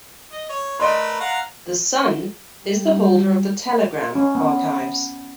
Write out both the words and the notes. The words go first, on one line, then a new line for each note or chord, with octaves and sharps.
The "Sun" is the holder of the "Telegram" archives.
D#5
C#5
A3 A#4 B4 D5 D#5 C6
F5 F#5 A#5
G3
C#4
B3